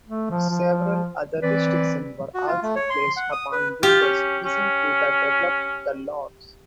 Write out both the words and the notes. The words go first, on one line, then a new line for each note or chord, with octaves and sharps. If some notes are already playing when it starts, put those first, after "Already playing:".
Several other restrictions were also placed upon builders wishing to develop the lots.
A3
F3
F3
E3 C4 B4 D5
F#4
F4
A3
C#5
C6
F#5
D#6
B4
F4 G4
C#4
C#4